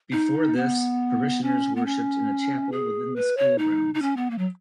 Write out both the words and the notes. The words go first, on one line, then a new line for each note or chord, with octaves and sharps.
Before this, parishioners worshipped in a chapel within the school grounds.
D#4
B3
C#4
B3
C#4
G#4
B4
C#5
D#4
D#4
C#4
B3
A#3
F#3